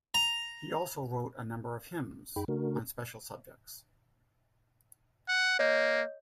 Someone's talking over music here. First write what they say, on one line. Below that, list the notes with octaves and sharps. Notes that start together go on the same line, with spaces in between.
He also wrote a number of hymns, on special subjects.
A#5
F#2 D#4 G#4 G5 B5
C#3 A3 D4 F#4 A#4
F#5
A#3 C#5 D#5 G6